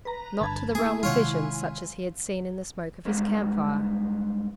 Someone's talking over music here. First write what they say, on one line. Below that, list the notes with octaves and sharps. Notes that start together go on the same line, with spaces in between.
Not to the realm of visions such as he had seen in the smoke of his camp fire.
B4 A#5
G1 D3 A5 B5 G#6
A#3 E4 G#4 G#5
C3 D#3 G#3 F4 C#5 F#5
G2 G#3 B3